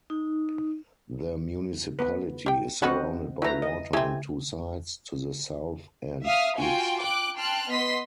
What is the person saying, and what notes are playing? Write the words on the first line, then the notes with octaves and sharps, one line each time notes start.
The municipality is surrounded by water on two sides, to the south and east.
D#4
B3 B4
G4 G5
C4 C#4 F#4 B4 D#5 F#5
F#3 A3 E4 B4 A#5
D#5
A3 C4 E4 G4 G#5
E5 F5 D#6 F6
F4 F#4 G5 G#5
G5 D6 F#6
G5 A5 C6 F6 F#6
B3 D#5 C6 B6